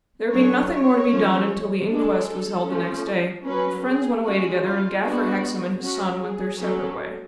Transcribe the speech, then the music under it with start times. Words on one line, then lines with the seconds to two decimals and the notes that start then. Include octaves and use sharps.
There being nothing more to be done until the Inquest was held next day, the friends went away together, and Gaffer Hexam and his son went their separate way.
0.32 D3 F#3 C#4 C#5
0.71 C#5
1.11 F3 A3 C#4
1.90 G#3 D4 A4
2.68 F3 A3 C#4
3.46 F#3 C#4 B4
3.85 G#4
4.24 G#3 C#4 F#4
4.64 F4
5.02 G#3 B3 D4 F#4
5.81 F#3 C#4 F#4
6.20 G#4
6.59 F#3 C#4 A4